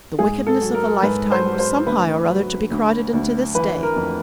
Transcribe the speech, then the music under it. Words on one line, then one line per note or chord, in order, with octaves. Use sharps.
The wickedness of a lifetime was somehow or other to be crowded into this day.
G#2 G#4
A4
F#3
A#4
G#2 B4
C5
F#3
C5
D2 B4
F#3
D2
D2
E3 B4
A#4
F2